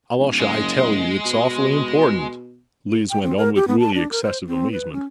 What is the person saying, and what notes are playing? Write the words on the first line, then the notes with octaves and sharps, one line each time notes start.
"Alyosha, I tell you, it's awfully important," Lise went on, with really excessive amazement.
D1
F#1 G#3
B2
G5
C4
A#4
G4
B3
A5
D4
A#4
C5
C4
B4
C#4